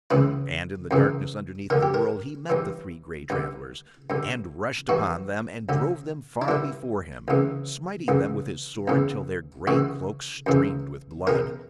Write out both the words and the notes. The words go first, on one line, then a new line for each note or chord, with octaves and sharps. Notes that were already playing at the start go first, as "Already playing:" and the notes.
And in the darkness underneath the world he met the three grey travellers and rushed upon them and drove them far before him, smiting them with his sword till their grey cloaks streamed with blood.
C#2 C#3 E3 B4
F#2 C#3 E3
D2 D3 A#4
G4
A#4
G2 E3
G2 D3
G2 D3
G2 E3 F#4
D2 D3
D4
G2 D3 E4
D2 C#3 E3
D2 C#3 E3
E2 C#3 E3
D2 C#3 E3 F#4
F#2 C#3 E3
E2 B2 A#4